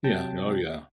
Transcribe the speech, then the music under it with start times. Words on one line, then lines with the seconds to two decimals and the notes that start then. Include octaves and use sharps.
Yeah, oh, yeah.
0.04 C3 F#3 G5 A5